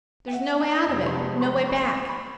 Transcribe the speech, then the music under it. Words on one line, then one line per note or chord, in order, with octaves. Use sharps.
There's no way out of it, no way back.
G5
E5 F#5
G#5 A#5
F2 C3 F3 G#3 B3 G#5 A#5
C6
A5 B5
A#5 C6
B5 C#6
B5 C#6
B5 C#6